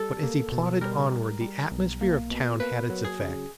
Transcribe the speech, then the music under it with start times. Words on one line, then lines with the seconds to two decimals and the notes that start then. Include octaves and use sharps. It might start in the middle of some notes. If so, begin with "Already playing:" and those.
But as he plodded onward the atmosphere of town had its effect.
Already playing: G3 A4
0.23 A#3
0.52 B2
0.81 G3 A#4
1.11 G3
1.41 G3
1.71 B1
2.01 A#3
2.31 B2
2.60 A#3 B4
2.90 F#3
3.04 G#4
3.19 C#3